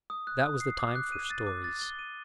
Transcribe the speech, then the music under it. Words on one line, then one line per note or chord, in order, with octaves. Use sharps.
That was the time for stories.
D#6
F#6
D#6
C7
D6
F#6
D#7
A6
D6
A6
G7
D#7